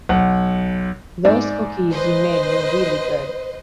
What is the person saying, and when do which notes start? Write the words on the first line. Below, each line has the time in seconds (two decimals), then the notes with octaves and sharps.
Those cookies you made were really good.
0.09 B1 F#5
1.25 G#2 D5 E5
1.91 B4 C5 D#5